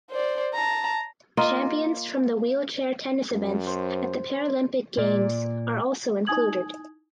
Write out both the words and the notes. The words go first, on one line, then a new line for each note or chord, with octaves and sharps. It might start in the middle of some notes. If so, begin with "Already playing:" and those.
Champions from the wheelchair tennis events at the Paralympic Games are also included.
C5 D5
A5 A#5
A#3 F4 D#5
F#2
C5
A#2 D5
D#4 E4 G#5 D#6 G#6 F#7